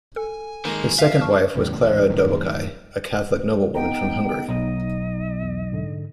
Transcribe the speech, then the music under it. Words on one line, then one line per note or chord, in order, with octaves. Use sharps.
His second wife was Clara Dobokai, a Catholic noblewoman from Hungary.
A4 G#5
D#3 G#3 A#3
E5 F5
A5 C#6 F6
E2 A2 C#3
A1 D2
F#2 A2 D#3
B3 D#4 G5 A#5
B1 D#5
E2
G#2 D3